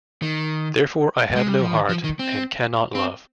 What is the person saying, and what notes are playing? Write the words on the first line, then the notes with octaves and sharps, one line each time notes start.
Therefore I have no heart, and cannot love.
D#3
G#3
G3
F3
D#3
F3
D#3
C4
C4